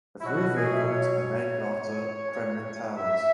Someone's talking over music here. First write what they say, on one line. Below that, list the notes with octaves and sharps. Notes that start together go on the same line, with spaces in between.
The three vehicles are named after Kremlin towers.
E4
B2 F#3 F#4
G#4
E5
C#5
C#5
E5